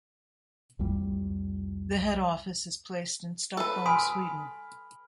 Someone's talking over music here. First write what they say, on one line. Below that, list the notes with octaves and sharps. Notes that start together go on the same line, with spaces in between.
The head office is placed in Stockholm, Sweden.
C2 F2 G3
A4 B4
G#5 B5 C6 D#6 F6